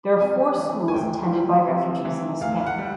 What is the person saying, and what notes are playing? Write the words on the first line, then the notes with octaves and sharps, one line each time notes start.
There are four schools attended by refugees in this camp.
C3 G#5
E3
G#5
D2 G5
G3
C3
E3
D2 F5
F#5
G3